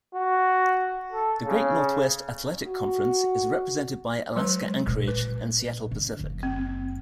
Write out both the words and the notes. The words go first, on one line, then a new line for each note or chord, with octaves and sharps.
The Great Northwest Athletic Conference is represented by Alaska-Anchorage and Seattle Pacific.
F#4
A4
C#3
F#4
F#3 G#3 B4
A#2 G3
B4
D3
F#1
C4